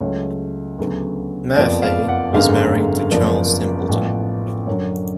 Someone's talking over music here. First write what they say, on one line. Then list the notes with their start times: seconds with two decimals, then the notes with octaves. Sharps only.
Murphy was married to Charles Templeton.
0.01 C#2 C#3 F#3 A3 C#5
0.79 D2 C#3 F#3 B3
1.56 F#1 F2 F3 B3 D5
1.82 F5
2.08 F#5
2.34 G#1 F#2 D3 G#3 B3 F5
3.11 F#1 F#2 F3 B3 D5
3.89 A1 A2 F3 B3
4.67 F#2 D3 F#3 C#5